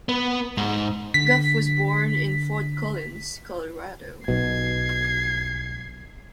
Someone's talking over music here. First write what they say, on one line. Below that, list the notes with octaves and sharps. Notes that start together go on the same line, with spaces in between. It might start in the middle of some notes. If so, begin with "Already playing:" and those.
Goff was born in Fort Collins, Colorado.
B3
G#2
D3 B6
B1 B2 G#6 C7